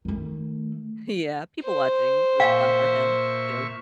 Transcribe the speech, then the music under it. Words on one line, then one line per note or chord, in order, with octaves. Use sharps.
Yeah, people watching was fun for him too.
D#3 A3
C5
A#2 E5 F5 C#6